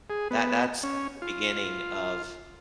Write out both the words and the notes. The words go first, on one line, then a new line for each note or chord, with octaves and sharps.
that that's the beginning of
G#4
B3
C#4
F4